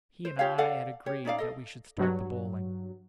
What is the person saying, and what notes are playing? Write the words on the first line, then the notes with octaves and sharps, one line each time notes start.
He and I had agreed that we should start the bowling.
C5
F4 G4 C#5 F5
A4 D5 F5 F#5
G4 C#5
C#4 D#4 D5 F5
A4 D#5
G2 F#3